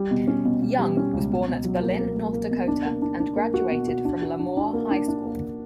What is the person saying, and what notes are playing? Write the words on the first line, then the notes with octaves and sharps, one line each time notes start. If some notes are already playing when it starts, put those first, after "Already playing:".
Young was born at Berlin, North Dakota, and graduated from LaMoure High School.
Already playing: G3
B2
C#4
B2
B2
G3
C#4
C#2
B2
B2
F#3
A#3
A#3
A#3
A#3
B2
D4
A#3
D4
D4
A#3
F#4
B2
F#4
D4
F#4
D4
D4
A#3
D4
D4
A#3